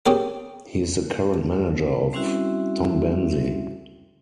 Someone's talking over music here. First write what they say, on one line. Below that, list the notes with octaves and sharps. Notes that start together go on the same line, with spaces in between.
He is the current manager of Tombense.
C4 C#4 G4 G#4 A#4
G3 C4 C#4 E4 F#4 E5